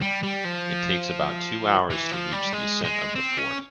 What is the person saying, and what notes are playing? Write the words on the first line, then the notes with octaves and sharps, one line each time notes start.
It takes about two hours to reach the ascent of the fort.
G3
G3
F3
E3
F3
G3
G#3
G#3
C4
C#4